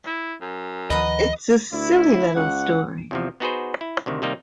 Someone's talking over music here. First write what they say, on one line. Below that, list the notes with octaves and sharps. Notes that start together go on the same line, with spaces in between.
It's a silly little story.
E4
F#2
D2 D#3 F3 B4 D#5 F#5 A#5
D2 E4
C#2 F#5
E2 C3 F3
B3 D#4 F#4 G#4 B4 C5
E4
D2 C3 D#3
C3 D#3 G3 A#3 D#4